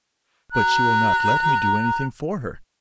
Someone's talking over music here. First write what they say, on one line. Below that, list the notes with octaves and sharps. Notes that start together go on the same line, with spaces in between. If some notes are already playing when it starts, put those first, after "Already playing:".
"But she will not let me do anything for her."
A#5 F#6